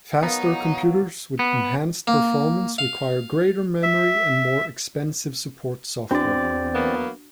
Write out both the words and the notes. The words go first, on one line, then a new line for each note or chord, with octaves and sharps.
Faster computers with enhanced performance require greater memory and more expensive support software.
F#3 B3 D#4 A#4 F5
B3
A#3
F5
E5
E2 C4 D4 F#4 D5
F#3 A#3 B3